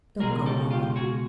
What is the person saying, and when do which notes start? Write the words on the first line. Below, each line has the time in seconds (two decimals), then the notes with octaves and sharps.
"Don't go, mamma."
0.20 C#2 B2 G#3 G#4 A#4
0.46 G4 A4
0.71 F4 G4
0.96 F#4 G#4